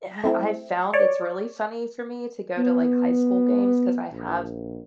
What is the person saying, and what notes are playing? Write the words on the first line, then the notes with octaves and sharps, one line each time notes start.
uh, I found it's really funny for me to go to, like, high school games 'cause I have
A3 C4 E4
C#5 D5
B3
A#1